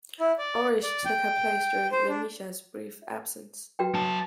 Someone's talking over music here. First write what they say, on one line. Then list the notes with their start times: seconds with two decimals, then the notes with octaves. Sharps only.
Orish took her place during LeMisha's brief absence.
0.20 E4
0.38 D5
0.83 D5
1.05 G5
1.92 C5
2.09 D4
3.79 F#4 B4 G5
3.94 F#3 A5